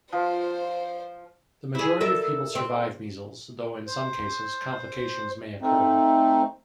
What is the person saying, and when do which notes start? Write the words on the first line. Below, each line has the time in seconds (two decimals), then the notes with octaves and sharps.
The majority of people survive measles, though in some cases, complications may occur.
0.13 F3 C5
1.75 E4 G#4
2.01 A4 A#4 E5
2.55 C4
3.87 C5
5.62 A3 C4 D#4